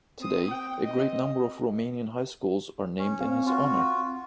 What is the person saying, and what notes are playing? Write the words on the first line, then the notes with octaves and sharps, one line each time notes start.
Today a great number of Romanian highschools are named in his honour.
C4 D#6
G5
C4 D#5
C#4
C4 F5
F4 F#4